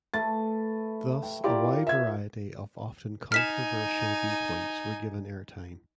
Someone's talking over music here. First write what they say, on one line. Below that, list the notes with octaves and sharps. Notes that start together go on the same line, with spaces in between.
Thus a wide variety of often controversial viewpoints were given air-time.
A3 B4 A6
G5
E4 F4 G4 A#4 D5
E5 G#6
D#4 G#5 F6 B6 E7